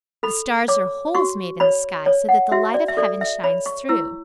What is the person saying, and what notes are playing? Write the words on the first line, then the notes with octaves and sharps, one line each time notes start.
The stars are holes made in the sky, so that the light of heaven shines through.
A4 B5
C#5 D6
F#4 C#6
C#5 B5
C#5
F#5
F#4 E5
D5
E5
A4 D5
E5
C#5 B5
C#6
E4 E6